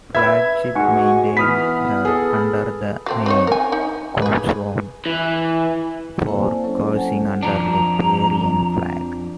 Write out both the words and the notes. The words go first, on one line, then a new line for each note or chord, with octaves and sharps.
Flagship maintained her under the name "Kungsholm" for cruising under Liberian flag.
B4 E5 B5 E6 G#6
G#2 G#3 F#4 F#5 G#5 C#6
E3 B3 B5 D#6 F6 B6
G#4 A4
F#3 A3 C4
C4 D#4 C#5
A#4 G#5
D#4
G#4 B4
E3
A#3 C4 E4 A4 C5 F5
D5 G#5 A5
F#3 C#4 A4 C5 C#5
F#5 G#5 A5
F2 F3 D4 A#5